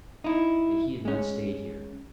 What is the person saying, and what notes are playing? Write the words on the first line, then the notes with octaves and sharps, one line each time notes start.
But he had not stayed here.
D#4 E4
G#3 C#4